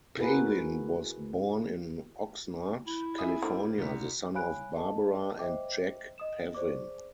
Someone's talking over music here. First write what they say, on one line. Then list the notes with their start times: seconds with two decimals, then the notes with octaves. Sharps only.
Pavin was born in Oxnard, California, the son of Barbara and Jack Pavin.
0.17 E4 F#4 G#4 A#4 B4
2.87 E4
3.18 G#4 E5 D#6
3.43 D3 A#3 C4 F4
3.78 C2 A#2 B6
4.34 C#5 F5 G#5 B5 F#6 D7
4.75 A4 D#5 A5
5.39 C5 D#5 E5 G5 D6
6.18 D#5 D#6 E7
6.54 G#4 C5 D5 D6